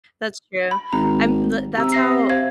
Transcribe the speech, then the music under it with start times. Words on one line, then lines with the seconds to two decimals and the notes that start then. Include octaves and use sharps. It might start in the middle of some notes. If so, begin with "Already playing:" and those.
That's true. I'm the that's how
0.71 B5
0.93 G#1 A#5
1.77 C3 A#5 E6
1.92 E5 A#6 C7
2.30 C5 F5 G#6